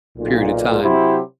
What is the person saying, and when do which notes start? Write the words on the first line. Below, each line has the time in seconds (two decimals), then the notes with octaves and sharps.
period of time.
0.18 B1 A#2
0.83 C3 F#3 E4 G4 C5